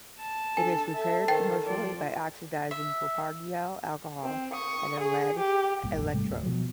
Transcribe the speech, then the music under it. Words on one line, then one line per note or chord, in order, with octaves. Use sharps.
It is prepared commercially by oxidizing propargyl alcohol at a lead electrode.
A5
D4 A4 G#5
A4 E5
D#3 C5 G5 A6 C7
F3 D5
E5
C4
C#6 D#6
G#4
G4
A1 G2 A#2
A1 E2
G#2 C3 G3 A3
D1
B2 F3 F#3